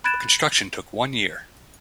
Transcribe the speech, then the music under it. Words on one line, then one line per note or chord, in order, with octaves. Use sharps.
Construction took one year.
B5 F#6 G#6 A6 D7 E7